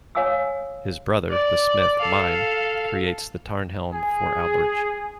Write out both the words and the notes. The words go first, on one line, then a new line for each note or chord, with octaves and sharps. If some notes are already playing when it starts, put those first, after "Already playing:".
His brother, the smith Mime, creates the Tarnhelm for Alberich.
C#5 F5 G#5 D#6 E6
D5
A4 F5
G#4